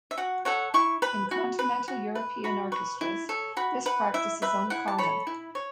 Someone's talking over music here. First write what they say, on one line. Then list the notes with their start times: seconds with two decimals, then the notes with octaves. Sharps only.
In continental European orchestras, this practice is uncommon.
0.11 E5
0.18 F#4 F#5
0.45 A4 C#5 F#5
0.74 E4 C#6
1.02 B4 B5
1.31 F#4
1.59 B4
1.88 F#4
2.15 B4
2.44 F#4 B5
2.72 B4 C#6
3.01 E4
3.29 A4 C#5
3.57 F#4 B5
3.86 B4 F#5
4.14 E4 E5
4.42 B4 E5
4.70 E4 F#5
4.88 A5
4.98 A4 C#5 B5
5.27 E4
5.55 C#5